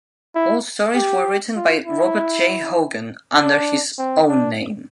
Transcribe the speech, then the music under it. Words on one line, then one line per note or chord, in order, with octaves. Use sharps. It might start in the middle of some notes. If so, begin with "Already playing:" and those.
All stories were written by Robert J. Hogan, under his own name.
E4
G4
F4
E4
D4
C4
D4